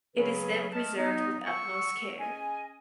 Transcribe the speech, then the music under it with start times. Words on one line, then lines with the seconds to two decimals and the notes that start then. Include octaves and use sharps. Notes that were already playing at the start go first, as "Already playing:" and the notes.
It is then preserved with utmost care.
0.15 C#3 F#3 B3 C#4 G#4 B4
0.73 A3 D#5 A5 F6
0.96 B3 D#4
1.47 F#5 C#6 E6
2.19 C#4 G#4 D#5 G#5